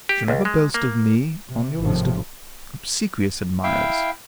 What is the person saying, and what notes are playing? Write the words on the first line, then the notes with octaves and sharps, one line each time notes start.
You shall never boast of me on your list of obsequious admirers.
G4
C#2
G#3
A#3
C3
G#1 A2 C3 D#3 F3
E4 E5 F5 G5